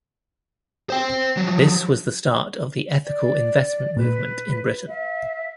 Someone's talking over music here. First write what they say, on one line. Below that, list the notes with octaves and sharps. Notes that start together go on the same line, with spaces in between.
This was the start of the ethical investment movement in Britain.
C5 G5
F3 F#3
D5
A#2 B4
E5 F5